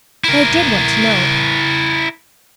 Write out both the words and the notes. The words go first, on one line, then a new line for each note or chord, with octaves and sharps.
But I did want to know.
E4 A#4